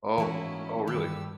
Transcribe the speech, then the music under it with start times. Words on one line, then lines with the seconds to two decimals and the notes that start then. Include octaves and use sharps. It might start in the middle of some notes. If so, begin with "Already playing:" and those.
Oh, y oh, really?
0.18 G#2 E3 A3 A#3 C#4 E4 F#4
0.87 G2 D#3 G4 B4 E6